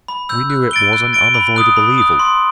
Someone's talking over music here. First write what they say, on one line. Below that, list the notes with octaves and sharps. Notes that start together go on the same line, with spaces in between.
We knew it was an unavoidable evil.
B5
E6 G6
F#6
A6 D7 G7
F#6
A6 D7 G7
B5
D#6 F#6
B5
D#6 F#6
C6